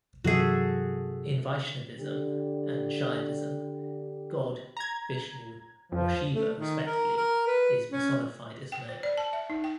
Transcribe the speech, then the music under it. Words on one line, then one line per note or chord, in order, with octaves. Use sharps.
In Vaishnavism and Shaivism, God, Vishnu or Shiva respectively, is personified as male.
G2 C3 E3 F#3 F#4 G#4 A4 E5
D3 G4
A#5 G#6
F2 F3
A3
D#3
A#4
A#4
B4
C#4
G5
C5
D5
A5
E5
D#4
G5